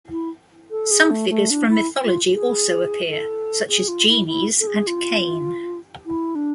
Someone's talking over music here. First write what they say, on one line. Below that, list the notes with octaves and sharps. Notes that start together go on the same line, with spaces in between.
Some figures from mythology also appear, such as genies and Cain.
E4
A4
G#4
A3
A3
D4
E4
F4
G#4
A4
G#4
F4
E4
E4
A4
G#4
F4
E4
D4